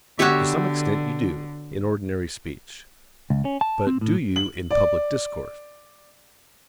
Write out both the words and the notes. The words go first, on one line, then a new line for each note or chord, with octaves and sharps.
To some extent you do, in ordinary speech; but do you in public discourse?
D3 B3 F#4 G4 C#5 E5
C#2
C#4
A5
C4
A2
F#7
D5